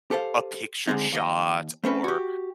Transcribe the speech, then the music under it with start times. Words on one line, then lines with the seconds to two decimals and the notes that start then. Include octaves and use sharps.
a picture shot or,
0.11 G4 A4 C5 F5
0.87 D3 G#3 C4 D#4
1.12 D#2 D#5
1.84 A3 C4 C#4 B4
2.04 F#4 G4